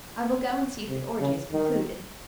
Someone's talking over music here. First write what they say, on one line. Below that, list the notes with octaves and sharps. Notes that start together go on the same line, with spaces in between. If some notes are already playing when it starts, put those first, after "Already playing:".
I will go and see if the orgy is concluded.
C3
C#3
D#3